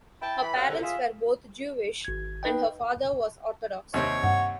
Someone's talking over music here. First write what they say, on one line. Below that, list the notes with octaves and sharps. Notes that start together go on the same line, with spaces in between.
Her parents were both Jewish, and her father was Orthodox.
E4 G5 A5
E3 B5
F#2 G4 F5 F#5
C2 D3
F4 G#4 E5
G#1 G#6
D#4 B4 D#5 G5
D#2 C3 C4 C#5
G2 F#5